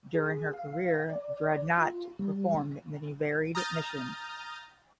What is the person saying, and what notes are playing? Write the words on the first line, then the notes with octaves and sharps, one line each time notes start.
During her career, "Dreadnought" performed many varied missions.
G#4
F5
D5
F4
G3
A#5 D#6 F6 G6 A6